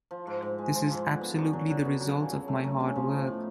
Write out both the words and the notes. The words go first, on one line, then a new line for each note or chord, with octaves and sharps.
This is absolutely the result of my hard work.
F3
G#2
G#2
G#3
F3
G#2
D3
B3
F#2
F#3
D3
B3
F#3
C#3
C#3
A3
F#3
C#3
F3
D#4
A2